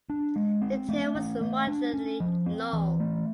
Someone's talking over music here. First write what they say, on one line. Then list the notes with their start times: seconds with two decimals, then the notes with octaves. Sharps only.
The tail was moderately long.
0.10 D4
0.36 G#3
0.62 C4
0.89 A3
1.15 C#4
1.41 A3
1.67 D4
1.94 C#4
2.20 F3
2.46 C4
2.73 E3
3.00 A3